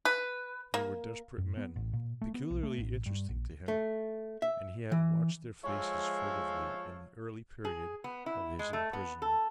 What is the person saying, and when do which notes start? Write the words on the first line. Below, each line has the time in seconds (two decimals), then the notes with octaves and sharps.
They were desperate men, peculiarly interesting to him, and he had watched their faces furtively in the early period of his imprisonment.
0.05 B4
0.74 A#3
1.38 F#2
1.57 B3
1.76 A1
1.93 A#2
2.22 A3
2.34 B3
2.51 B1
2.63 A3
2.78 A1
3.06 G2
3.29 A#1
3.68 A3
4.42 E5
4.92 E3
5.64 F3 G#3 A4 C#5 E5 F5
7.65 G#4
8.04 B3
8.26 E4
8.59 G#3
8.73 A3
8.93 B3
9.22 A4